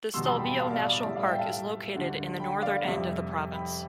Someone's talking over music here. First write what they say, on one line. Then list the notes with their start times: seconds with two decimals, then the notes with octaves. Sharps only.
The Stelvio National Park is located in the northern end of the province.
0.14 E2 B2 G3 C6 E6
0.26 A5 C6
0.37 G5 B5
0.48 G5 B5
0.59 F5 A5
0.70 D5 F5
0.82 D5
0.92 D5
1.04 A2 G3 E5
1.16 D5 F5
1.27 E5 G5
1.38 F5 A5
1.95 D2 D3 G3
2.39 G5 B5
2.62 D5 F5
2.85 F2 C3 G3 E5
3.52 G5 B5